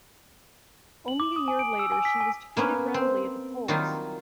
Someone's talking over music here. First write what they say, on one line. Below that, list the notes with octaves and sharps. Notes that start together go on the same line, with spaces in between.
Only a year later, she was defeated roundly at the polls.
F#7
D6
D#6
G#5
D7
E6
G#5
B6
G#5
A#3 B3 C#4
C4
D#3 F#3 G3 A#3 D#4 F4